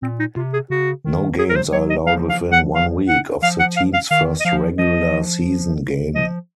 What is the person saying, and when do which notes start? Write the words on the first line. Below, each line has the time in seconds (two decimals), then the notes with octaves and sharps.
No games are allowed within one week of the team's first regular season game.
0.02 A#2 C4
0.20 D#4
0.36 C3 F4
0.53 G#4
0.70 C#3 F#4
1.05 D#3
1.38 F#3 G#4
1.49 A#4
1.56 C5
1.72 F#3 C#5
1.90 D#5
2.07 F3 F5
2.29 F5
2.52 F#5
2.75 F5
3.08 F#5
3.42 F3 F5
3.60 F#5
3.77 F5
3.94 F5
4.11 D#3 F5
4.40 D#5
4.45 F3 F5
4.78 F3 D#5
6.15 F3 D#5